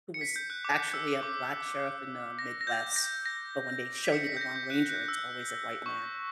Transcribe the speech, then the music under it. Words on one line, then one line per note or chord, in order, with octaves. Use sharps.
who was actually a black sheriff in the Midwest, but when they show you the Lone Ranger, it's always a white man,
C#7
B6
G6
F#6
D6
E6
D6
A#6
A#6
G6
A#6
A#6
B6
C#7
B6
G6
A#6
G6
F#6
F#6
E6
C#6